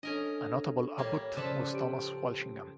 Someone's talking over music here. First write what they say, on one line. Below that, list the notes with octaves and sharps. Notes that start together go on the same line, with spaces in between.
A notable abbot was Thomas Walsingham.
C#4 D4 A4 A#4 D#5
A2 G3 A#3 C#5 G#6
C#3 F3 A4 B4 D5 D6
G4 D7